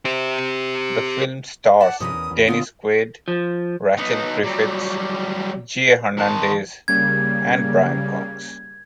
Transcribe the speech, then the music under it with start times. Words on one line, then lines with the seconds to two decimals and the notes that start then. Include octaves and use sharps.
The film stars Dennis Quaid, Rachel Griffiths, Jay Hernandez, and Brian Cox.
0.05 G4 C5
1.80 D5 F#5 A5
2.00 G2 C3 F3 C#4 A#4 B4 D#6
2.14 E2
2.31 E2
2.48 D3 B3 C#4 F4 D#6
3.28 F3
3.97 B3 D#4
4.43 F#3 G3
6.18 D#3 A5
6.88 C#3 G3 A#3 G#6